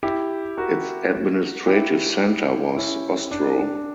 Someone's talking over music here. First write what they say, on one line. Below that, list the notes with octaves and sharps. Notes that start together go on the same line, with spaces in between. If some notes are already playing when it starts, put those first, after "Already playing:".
Its administrative centre was Ostroh.
E4 G4
F#4 A#4
E4 G4
C#4 E4
D4
D4